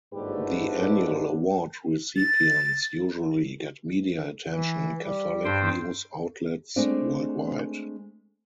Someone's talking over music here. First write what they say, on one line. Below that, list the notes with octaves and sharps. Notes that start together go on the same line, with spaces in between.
The annual award recipients usually get media attention in Catholic news outlets worldwide.
G1 G#2 D3 A3 G4 B4
A6
E3
G3
G2 C5 G5
G#3 A3 C4 D4 D5